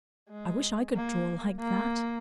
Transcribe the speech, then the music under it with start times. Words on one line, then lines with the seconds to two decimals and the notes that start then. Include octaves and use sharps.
I wish I could draw like that.
0.29 G#3
0.96 A#3
1.60 A#3